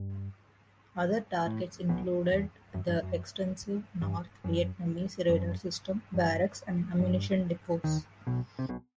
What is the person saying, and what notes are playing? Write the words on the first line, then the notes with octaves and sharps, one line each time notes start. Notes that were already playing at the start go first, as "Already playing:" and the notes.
Other targets included the extensive North Vietnamese radar system, barracks, and ammunition depots.
Already playing: G2
A2
B1 B2
E2
F#2
G2
F#2
G2
F#2
F#2
G2
G2
D#2 D#3
B1 B2
C3
B1 B2